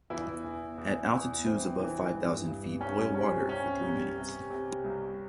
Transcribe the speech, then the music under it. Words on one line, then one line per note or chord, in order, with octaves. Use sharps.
At altitudes above five thousand feet, boil water for three minutes.
E2 E3 E4
E2
E2
E2
E3 C4
E3
G2
G2
C2 C#4
C#4
C3 C#4
C4
C2 C#4
C2
C3
C3
C2